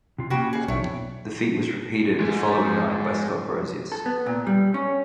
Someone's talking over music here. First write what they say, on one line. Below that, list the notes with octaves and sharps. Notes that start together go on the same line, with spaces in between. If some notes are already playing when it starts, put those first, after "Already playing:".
The feat was repeated the following night by Scott Brosius.
C3 F4
C#3 A#3 C#4 F#4 G4 G5
G#4
B1 F2 D4 C#5 E5 G5
G#2 G#3
A4
B3
A#2
G3
C#4